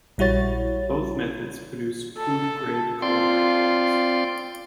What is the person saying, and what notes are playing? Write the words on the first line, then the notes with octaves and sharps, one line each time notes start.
Both methods produce food grade culinary oils.
A#1 G3 E4 F#4 C#5 A6
A4
C4 F4 D5 C6